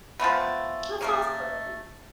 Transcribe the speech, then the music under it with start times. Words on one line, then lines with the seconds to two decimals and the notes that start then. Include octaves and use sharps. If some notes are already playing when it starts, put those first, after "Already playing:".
That's awesome.
0.20 F3 G#3 A3 B3
1.01 A3 A#3 C#4